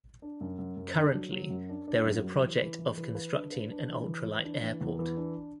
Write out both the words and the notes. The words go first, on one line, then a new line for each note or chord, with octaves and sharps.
Currently there is a project of constructing an ultralight airport.
D4
F#2
F#2
F#2
D4
F#3
F#3
F#2
D4
D4
F#2
F#3
E3
E3
E3
E3
B4
D4
B4
D4
E3
E3
E3
D4
E3
E2
E3
D4